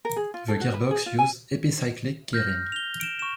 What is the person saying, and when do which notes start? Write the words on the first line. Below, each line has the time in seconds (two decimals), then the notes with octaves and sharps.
The gearbox used epicyclic gearing.
0.05 A#4
0.16 G#4
0.34 F4
0.48 A4
0.61 F#4
0.74 B4
0.91 G#4
1.06 F4
1.19 G#5
2.33 F6 G6 A#6
2.72 F7 G7
3.00 D7 E7
3.19 C#6 E7